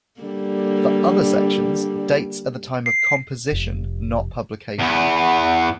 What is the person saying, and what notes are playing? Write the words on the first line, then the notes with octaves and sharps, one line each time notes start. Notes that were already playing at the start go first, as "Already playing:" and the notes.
For other sections, dates are the time of composition, not publication.
D3 G3 A#3
C7
F1
E2 B3